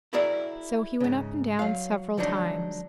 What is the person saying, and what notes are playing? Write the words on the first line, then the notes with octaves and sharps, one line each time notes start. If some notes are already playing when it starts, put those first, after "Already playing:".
So he went up and down several times.
E4 F#4 G#4 A#4 D5 E5
G#2 C#3
F#3 F5
D3 F3 F#3 G#3 D4 D#4